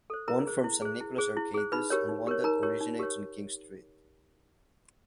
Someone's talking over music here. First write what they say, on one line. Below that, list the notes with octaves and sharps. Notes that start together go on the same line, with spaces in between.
One from St Nicholas Arcades and one that originates on King Street.
A4 C5
E4 A#4 A#5
G#4 C5
E4
G#4 C5
E4
G#4 C5
E4
G#4 C5
D#4 B4 B5
G4 A#4 C#5
D#4
G4 A#4 C#5
D#4 A#4 A#5
G4 A#4 C#5
D#4
G4 A#4 C#5